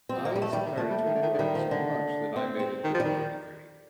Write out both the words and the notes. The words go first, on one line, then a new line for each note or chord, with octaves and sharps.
I started to enjoy it so much that I made it thirty, thirty, thirty.
G3 C4
F3
A#3
G3
F3 A3
D#3 G3
D#3
F3 A3
G3
D#3
D3
D#3
D3
D#3 G3
F3
D3
C4
C4
D#3
F3
D#3 G3